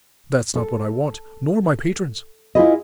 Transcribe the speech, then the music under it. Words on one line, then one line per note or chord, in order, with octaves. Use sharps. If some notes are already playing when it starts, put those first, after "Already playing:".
That's not what I want, nor my patrons.
A4
E4 F4 G4 G#4 B4 D#5